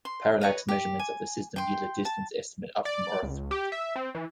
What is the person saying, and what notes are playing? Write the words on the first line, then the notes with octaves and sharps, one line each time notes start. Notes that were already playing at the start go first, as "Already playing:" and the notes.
Parallax measurements of the system yield a distance estimate of from Earth.
C6
B4 C#5 D#5 F5
G4
G#5
G5 C6
A5
D5
C#2
G4
E5
C4
E3